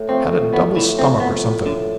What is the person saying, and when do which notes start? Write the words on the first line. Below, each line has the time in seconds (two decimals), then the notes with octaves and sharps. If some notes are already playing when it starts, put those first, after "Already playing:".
Had a double stomach, or something.
Already playing: A2
0.09 F3 A3 C4
0.53 A2 B3
0.76 E3
0.99 F3 A3 C4
1.20 B3
1.44 A2
1.66 D3